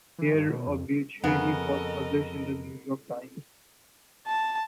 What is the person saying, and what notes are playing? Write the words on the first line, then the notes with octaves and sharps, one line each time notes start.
Her obituary was published in the New York Times.
E3
G2
B2
F2
F2 C#3 B3 A4 A#4 D#5
A5